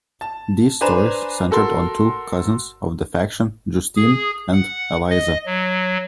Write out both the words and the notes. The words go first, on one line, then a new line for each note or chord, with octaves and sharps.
These stories centred on two Cousins of the Faction, Justine and Eliza.
A5
D4 B4 C5 G#5 A#5 E7
F#4 A4 A#4 C6
G#4
F#5
D#5
F#3